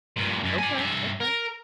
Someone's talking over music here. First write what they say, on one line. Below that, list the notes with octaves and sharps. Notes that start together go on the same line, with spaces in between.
Okay, okay.
G2 A#2
F#2
D5 G#5
G2 E5
A#4